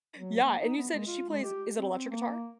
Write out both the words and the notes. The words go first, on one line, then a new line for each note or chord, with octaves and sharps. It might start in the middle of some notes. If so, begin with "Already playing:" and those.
Yeah, and you said she plays is it electric guitar?
F#3
A#3
D#4
B3
G#3
F4
G#3
G4
C4
C4
A#3